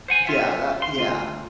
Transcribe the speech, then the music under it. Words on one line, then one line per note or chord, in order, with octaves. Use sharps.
D yeah, that yeah.
C5 F#5 G#5
F4 E5
C6
D2 F4